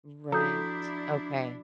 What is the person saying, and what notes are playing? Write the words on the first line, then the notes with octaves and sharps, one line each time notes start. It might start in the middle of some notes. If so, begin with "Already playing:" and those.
Right. Okay.
F3 D4 E4 F#4 A4 A#5 D#6 G6